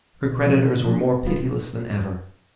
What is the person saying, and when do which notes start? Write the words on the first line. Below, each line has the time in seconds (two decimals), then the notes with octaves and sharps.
Her creditors were more pitiless than ever.
0.24 C2 B2
0.44 C3 F3 A3
0.64 D3
0.85 F3 A3 D4
1.05 C3
1.25 G3 B3 F4
1.46 C3